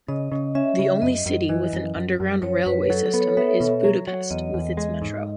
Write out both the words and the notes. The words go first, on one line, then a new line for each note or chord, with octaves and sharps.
The only city with an underground railway system is Budapest with its Metro.
C#3 D#5
C#3
C#4 E5
C#3
F#2 D#5
F#2
E3 D#5
F#2
F#2
F#2
F#2 C#5
F#2 B4
F#3 A4
A4
B3
C#5
B3 E5
B2
F#3
F#3
E2 D#5
E2
G#3
G#2